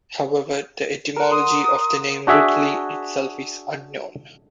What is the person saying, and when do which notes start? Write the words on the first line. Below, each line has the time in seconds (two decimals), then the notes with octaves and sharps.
However, the etymology of the name "ridley" itself is unknown.
1.16 A#4 F#5
1.31 C6 D#6
2.27 D4 F#4 G#4 E5